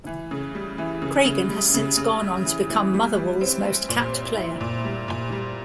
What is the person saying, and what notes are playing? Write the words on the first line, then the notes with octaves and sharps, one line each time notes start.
Craigan has since gone on to become Motherwell's most capped player.
E3
C#3
G3
E3
C#3
C#3
G3
C#3
C#3
G3
E3
E3
G3
G3
C4
G3
A#2
C4
E4
A#2
G3
A#2
G3